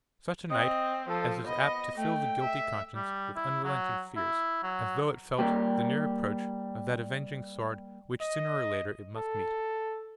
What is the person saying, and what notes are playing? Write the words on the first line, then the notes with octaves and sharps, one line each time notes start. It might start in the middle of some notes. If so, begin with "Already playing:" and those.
Such a night as is apt to fill the guilty conscience with unresting fears, as though it felt the near approach of that avenging sword which sooner or later it must meet.
C4 D#5
F3 A4
B3 D#5
A3 G5
E5
G3
E4
F#3
E4
F#3
G3 A#3 G4
D#5
A4